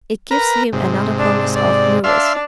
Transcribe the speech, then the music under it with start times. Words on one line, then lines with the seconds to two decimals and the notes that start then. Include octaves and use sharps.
It gives him another promise of "newness."
0.31 A#4 B4 A#5
0.73 G#2 C3
1.18 D4
1.54 D5
2.04 D4 E5 F5 C6